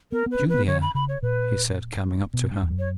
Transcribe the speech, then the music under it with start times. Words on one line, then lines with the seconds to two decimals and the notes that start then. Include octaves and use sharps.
"Julia," he said, coming up to her.
0.12 B3 A#4
0.26 B3
0.31 B4
0.39 C#4
0.49 B3 B4
0.68 D3 C#5
0.82 B5
0.95 C#3 B5
1.09 C#5
1.23 A#2 B4
2.34 B2
2.51 G2
2.62 E2
2.70 F#2
2.79 C#5